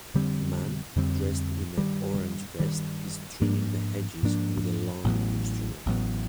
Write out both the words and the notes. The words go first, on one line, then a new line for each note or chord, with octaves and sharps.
A man, dressed in a orange vest is trimming the hedges with a lawn instrument.
F2 D3 G3 C4
F2 D3 G3 C4
G2 D#3 G3
G2 D#3 G3
G#2 F3 A#3 D4
G#2 F3 A#3 D4
A1 A2 F#3 B3
A1 A2 F#3 B3